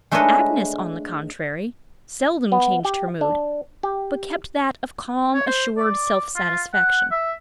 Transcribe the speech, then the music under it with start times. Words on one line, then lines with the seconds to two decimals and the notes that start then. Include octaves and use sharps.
Agnes, on the contrary, seldom changed her mood, but kept that of calm assured self-satisfaction.
0.11 G#3 A3 D4 B4 C#5 D#5
2.52 B3
2.85 G4
3.21 D4
3.83 G4
5.34 C#5
5.47 C5
5.77 D5
6.36 F4
6.73 F#5
7.11 E5